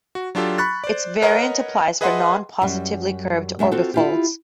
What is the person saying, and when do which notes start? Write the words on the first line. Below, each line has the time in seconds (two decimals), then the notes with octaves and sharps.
Its variant applies for non-positively curved orbifolds.
0.15 F#4
0.35 F#3 D4 F4 G4 A4
0.58 B5 C#6 F#6 A6
0.84 C5 D5
1.22 A#4 B4 C#5 D#5 F#5 A#5
2.01 G#4 B4 D#5 E5 F#5 C6
2.62 F#2 G3
3.59 F#2 G#3 E5
3.71 C4 F4 F#4 A4
3.94 E4 F4 G4